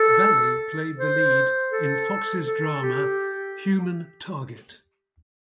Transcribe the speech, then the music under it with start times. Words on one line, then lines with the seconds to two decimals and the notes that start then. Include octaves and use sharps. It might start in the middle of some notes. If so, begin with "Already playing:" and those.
Valley played the lead in Fox's drama "Human Target".
Already playing: A4
0.99 C5
1.72 A4
2.45 A4
2.82 G4